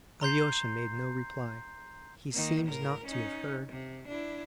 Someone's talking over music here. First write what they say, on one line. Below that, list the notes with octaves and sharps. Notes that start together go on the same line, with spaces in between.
Alyosha made no reply, he seemed not to have heard.
A#5 C6 G6 C7
D#3 A#3
A2 A#4
C#4 D#4
C3
D4 E4